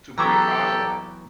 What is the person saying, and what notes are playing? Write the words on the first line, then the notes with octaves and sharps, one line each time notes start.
to break outta that,
E3 F#3 B3 G4 A4 G5 A#5 D6